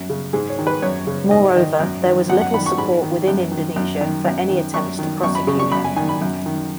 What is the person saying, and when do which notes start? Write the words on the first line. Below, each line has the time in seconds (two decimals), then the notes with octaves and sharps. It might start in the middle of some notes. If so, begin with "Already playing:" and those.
Moreover, there was little support within Indonesia for any attempts to prosecute him.
Already playing: F#2
0.10 C#3
0.33 G#2 G#4
0.49 C#5
0.59 D#3
0.67 B4
0.82 F#2 C#5
1.07 C#3
1.31 G#2 D#5
1.56 D#3 D#5
1.80 F#2
2.05 D#3
2.29 F#2 F#5
2.41 F#5
2.54 D#3 B5
2.66 C#6
2.78 G#2 B5
3.03 D#3
3.28 F#2
3.52 D#3
3.76 F#2
4.01 D#3
4.25 F#2
4.50 D#3
4.74 F#2 C#6
4.99 D#3
5.23 F#2 C#6
5.35 B5
5.47 C#3 C#6
5.59 C#6
5.72 F#2 B5
5.84 G#5
5.96 D#3 G#5
6.09 B5
6.21 F#2
6.46 D#3